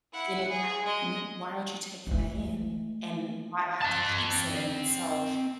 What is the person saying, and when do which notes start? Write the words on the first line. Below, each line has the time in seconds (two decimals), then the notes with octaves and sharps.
then it's, like, "Mm, why aren't you taking that in, and why do I have to keep saying it?" so
0.13 E4 F#5
0.48 G#4
0.83 G#3 D#5
2.07 G#3 A3
3.81 C4 A5